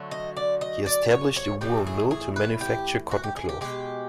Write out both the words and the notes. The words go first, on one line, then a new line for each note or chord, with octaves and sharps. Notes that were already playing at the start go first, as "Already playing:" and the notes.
He established a woolen mill to manufacture cotton cloth.
Already playing: D3 F#3 A3
D#5
D5
D#5
D5
C#5
C#5
A2 E3 A3 G4
G#4
G#4
B4
G4
F#4
G4
G#4
G4
B2 G#3 G4